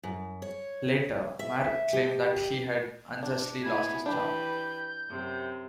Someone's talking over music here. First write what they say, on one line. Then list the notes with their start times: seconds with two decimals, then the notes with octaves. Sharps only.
Later, Marr claimed that he had unjustly lost his job.
0.03 F#2
0.42 C#5
1.39 E5
1.93 G4
3.23 D4
3.63 B3 E4 G#4 G#6
4.06 E3 D4 G4 B4 B5 G6
5.08 F#2 C3